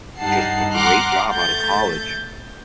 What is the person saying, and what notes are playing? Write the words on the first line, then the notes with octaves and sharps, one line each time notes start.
just a great job out of college,
G2 G3 D#4 F#5 A5 C7
F#5 A#5 C6 D6 F6 F#6
A3 G6 A6